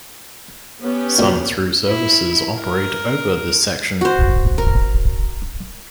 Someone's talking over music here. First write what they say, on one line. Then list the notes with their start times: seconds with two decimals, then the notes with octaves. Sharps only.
Some through services operate over this section.
0.81 B3 C#4 G4
1.19 D2 A#2
1.86 E4
2.60 A#4
4.01 F#4 C5
4.58 A#4